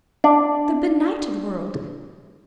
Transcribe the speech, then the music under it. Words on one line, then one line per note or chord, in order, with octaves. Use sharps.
The benighted world!
D4 D5